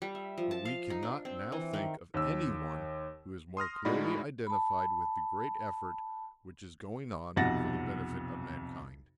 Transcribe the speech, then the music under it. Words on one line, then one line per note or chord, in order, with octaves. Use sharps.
But we cannot now think of any one who is more clearly identified with the great effort which is going on for the benefit of mankind.
G3
E5
F3
A5
F5
D#4
D4
C4
E3
D#3
D#2 E6
C6 D#6 F6 A#6
A2 G#3 D#4 F#4 D5 B5
A5 B5
B1 F2 C3 F#5 A6 A#6